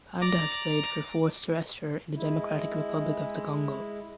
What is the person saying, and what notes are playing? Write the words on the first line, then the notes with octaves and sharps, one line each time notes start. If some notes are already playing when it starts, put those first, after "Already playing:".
Panda has played for Force Terrestre in the Democratic Republic of the Congo.
D5 A#5 D6
G#3 E4